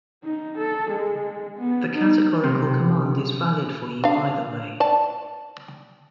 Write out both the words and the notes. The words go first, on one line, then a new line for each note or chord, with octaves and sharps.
The categorical command is valid for you either way.
D#4
A4
G#3
B3
D#4
B1 C3
D4 F5
D5 A5